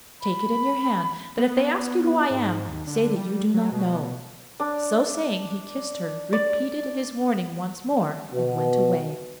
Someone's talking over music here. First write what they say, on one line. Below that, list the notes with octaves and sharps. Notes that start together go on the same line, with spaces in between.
Take it in your hand, but if they ask you who I am, say that you do not know.' So saying, he kissed her, repeated his warning once more, and went away.
B5
B3
G#2
D#2
D3
G3
F#3
B2
D4
D5
B2